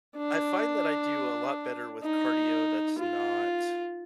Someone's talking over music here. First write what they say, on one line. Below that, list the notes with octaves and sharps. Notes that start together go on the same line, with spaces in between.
I find that I do a lot better with cardio that's not
D4
D#4
F4